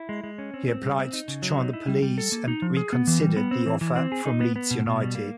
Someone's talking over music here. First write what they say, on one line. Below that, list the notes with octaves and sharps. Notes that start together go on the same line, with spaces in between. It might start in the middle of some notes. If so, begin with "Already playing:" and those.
He applied to join the police and reconsidered the offer from Leeds United.
Already playing: E4
G#3
G#3
C#4
C4
C4
G3
C4
D#4
C#3
F#3
D#4
E4
G3
G3
A4
A#3
D#4
F3
G#4
B3
E3
G3
B3
C4
E3
E3
C4
G#4
D#4
B3
B3
B2
B2
G3
A#3